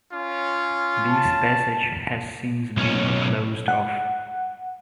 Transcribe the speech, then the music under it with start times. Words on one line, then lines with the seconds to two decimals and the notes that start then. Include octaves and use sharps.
This passage has since been closed off.
0.13 C#4 F4
1.08 A5
2.77 B1 C#4
3.68 F#5